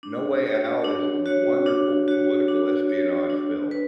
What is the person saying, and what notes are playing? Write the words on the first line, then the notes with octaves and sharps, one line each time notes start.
No Way Out is a wonderful political espionage film,
D4
F#4 C#5
D4
F#4 C#5
D4
F#4 C#5
D4
F#4 C#5
D4
B4